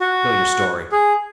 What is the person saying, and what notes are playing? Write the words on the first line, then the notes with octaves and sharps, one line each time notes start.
"Spill your story."
F#4
G#4